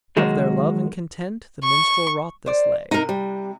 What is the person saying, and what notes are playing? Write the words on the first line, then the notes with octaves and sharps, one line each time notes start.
Of their love and content the minstrel wrought this Lay.
D#3 F#3 G#3 A#3 F#4
C#6
C5 D5
C3 D#4 A#4
G3